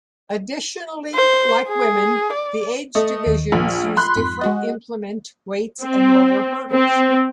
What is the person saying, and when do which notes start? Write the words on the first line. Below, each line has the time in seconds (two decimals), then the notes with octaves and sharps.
Additionally, like women, the age divisions use different implement weights and lower hurdles.
1.15 C5
1.68 G#4
2.33 D5
2.95 A3 D#5
3.26 D#2 D#3
3.52 A#1
3.97 B5 C6 F#6
4.15 F2 G#2 B6
4.41 G#3 F#4 D#5
5.82 C4
6.73 C4